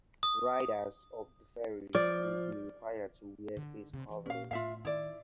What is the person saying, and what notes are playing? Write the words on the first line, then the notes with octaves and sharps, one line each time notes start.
Riders of the ferries will be required to wear face coverings.
D#6
F3 D5
D3
C3
E3
A#2 C#4 F5
A2 F4 E5 F5
D#3 E4 D5